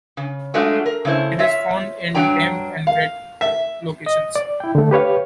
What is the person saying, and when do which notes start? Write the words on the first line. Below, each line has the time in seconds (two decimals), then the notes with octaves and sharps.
It is found in damp and wet locations.
0.17 C#3
0.54 F#3 G#3 A3 D4 F4 F#4
0.86 A#4
1.05 C#3 A3 E4 C5
1.39 F4 C#5 E5
2.15 G2 F#3 D4 G5 A#5
2.87 F5
3.41 E5
4.06 D#5
4.35 D5
4.60 E4 G5
4.75 D3 A3
4.91 G4 B4 C#5 F5